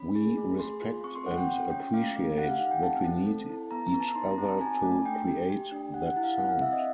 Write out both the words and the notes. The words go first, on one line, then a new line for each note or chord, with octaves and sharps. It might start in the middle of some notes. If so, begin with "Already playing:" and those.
We respect and appreciate that we need each other to create that sound.
Already playing: C#4 B5
G#4
A3
G#4 C6
F4
C4 C#6
C6
C4 F#5
G5
F4 G5
C#4 G5
A3 F5
A3
G4 F#5
F5
D#4 F#5
G5
C4 A5
C4
A4
E4
B3 A#5
A#5
B3
A5
D#4 C6
A#5
C4
A5
F#4 G#5
A3
D4 G5
G4
G4
D4
G4 F#5
F#5
E4
F5
C4 F#5
F5
C4 E5
D#5